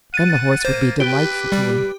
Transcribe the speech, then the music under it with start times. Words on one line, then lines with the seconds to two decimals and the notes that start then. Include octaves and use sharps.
Then the horse would be delightful to him.
0.14 F#5 A6 D#7
0.65 A#3 C5
1.00 G4 B4
1.52 G3